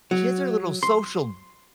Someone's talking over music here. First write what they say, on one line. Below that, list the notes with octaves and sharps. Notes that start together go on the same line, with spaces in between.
kids are little social
F#3
C6